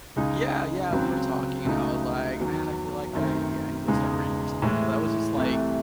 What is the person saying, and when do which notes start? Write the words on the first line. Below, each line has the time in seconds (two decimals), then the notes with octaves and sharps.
Yeah, yeah, we were talking and I was like, "Man, I feel like I I need to start reading or something." 'Cause I was just, like
0.16 C#2 C#3 G#3 D#4
0.91 C#2 C#3 F#3 C4
1.65 C#2 C#3 F#3 A3 D#4
2.39 E2 D#3 F#3
3.13 F#2 D#3 A3 C4
3.88 E1 E2 C#3 G#3 D#4
4.62 A2 E3 G#3
5.36 C2 C3 E3 A3